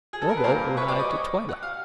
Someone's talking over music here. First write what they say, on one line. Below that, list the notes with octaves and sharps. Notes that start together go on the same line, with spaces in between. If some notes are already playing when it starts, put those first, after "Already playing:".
Bobo arrived at twilight.
G#4
A4
A#4
B4
A#2 G3 A#3 A#4 C5
B4 C#5
C5 D5
C#5 D#5
C#5 D#5
F#5
F5